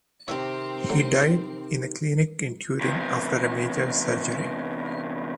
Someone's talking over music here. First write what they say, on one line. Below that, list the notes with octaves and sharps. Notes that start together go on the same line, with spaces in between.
He died in a clinic in Turin after a major surgery.
C3 D#3 C4 G4 C#5 E5
F#3 A3
E2 C3